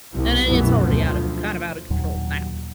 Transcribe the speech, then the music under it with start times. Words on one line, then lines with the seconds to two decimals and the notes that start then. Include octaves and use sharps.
and then it's already out of kind of out of control now.
0.12 C2
0.44 C2 F#2 B2 E3 A3 B3
0.81 D2 F3
1.90 D#2 A#2 F#3